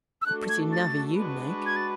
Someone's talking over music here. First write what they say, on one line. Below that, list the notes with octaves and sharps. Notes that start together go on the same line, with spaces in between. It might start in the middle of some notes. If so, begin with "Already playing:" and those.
'A pretty navvy you'd make!
E6
A3 D4 F#4 A4 F#6
G#6
A6
G#3 D4 F#4 B4
G#6
A6